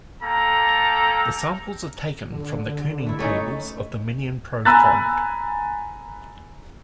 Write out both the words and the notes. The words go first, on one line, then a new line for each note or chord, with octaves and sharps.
The samples are taken from the kerning tables of the Minion Pro font.
A#3 A4 G5 A#5
D3
A3 E4
A3 C#4 D#4
G#5 A#5 B5 E6 F#6 A6